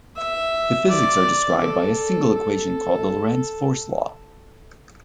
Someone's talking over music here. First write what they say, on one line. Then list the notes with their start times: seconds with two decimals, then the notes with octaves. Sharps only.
The physics are described by a single equation called the Lorentz force law.
0.16 E5
0.88 D5
1.60 A4
2.33 A4